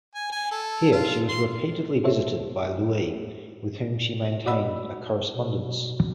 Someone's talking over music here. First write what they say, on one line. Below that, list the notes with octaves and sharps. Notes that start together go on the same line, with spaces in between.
Here she was repeatedly visited by Louis, with whom she maintained a correspondence.
G#5
G#5
A4
F4
C6
F4 A4 C5 C#5 E5
F#4 D5 D#5 F#5 B5 E6
B2